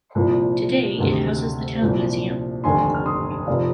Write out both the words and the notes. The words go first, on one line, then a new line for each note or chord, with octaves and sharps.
Today it houses the Town Museum.
C2 A#2 F3
D2 C3 D#3
C2 A#2 F3
F1 D#2 D3 G#5 C6
F6
C6 D#6
F1 C3 F3 D5 F5